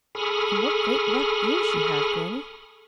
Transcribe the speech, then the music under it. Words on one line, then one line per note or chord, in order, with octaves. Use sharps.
"And what great rough ears you have, Grannie!"
G#4 A4 B5 C#6 D#6 F6